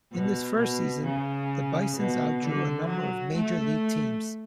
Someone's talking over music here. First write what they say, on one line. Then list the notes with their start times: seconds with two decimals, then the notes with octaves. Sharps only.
In this first season, the Bisons outdrew a number of Major League teams.
0.12 B2
0.58 B2
1.04 C#3
1.96 B2
2.42 D3
2.87 F#3
3.34 A3